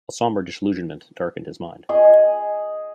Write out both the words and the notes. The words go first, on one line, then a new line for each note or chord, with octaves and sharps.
A sombre disillusionment darkened his mind.
G#4 D#5